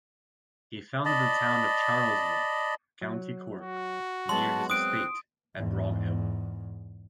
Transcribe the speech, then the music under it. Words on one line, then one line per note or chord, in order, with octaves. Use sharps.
He founded the town of Charleville, County Cork, near his estate at Broghill.
D5 D#5 A5 B5
F#3
F#4
F#3 G#3 B3 A5 C6
C4 D#6 F#6 D7
E2 G#2